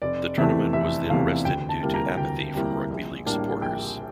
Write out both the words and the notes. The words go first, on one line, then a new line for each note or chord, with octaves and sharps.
The tournament was then rested due to apathy from rugby league supporters.
F1 D5
E2 C3 E3 A3 E5
F1 E5
E2 C3 E3 A3 F5
D2 G5
A5
C3 G3 A#3 E4
A#5
D2 G5
C3 G3 A#3 E4
A#1
A2 G3 A#3 D4
A#1 G5